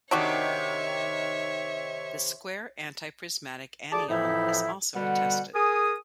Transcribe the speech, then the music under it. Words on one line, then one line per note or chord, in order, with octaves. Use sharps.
The square antiprismatic anion is also attested.
C3 D#3 D4 F#4 G4 C#5 E5
D2 G#4 D5 A5 D6
F2 A2 E3 F3 D#4 E4
B2 D3 G3 F#5
G#4 A#4 G#5 D#6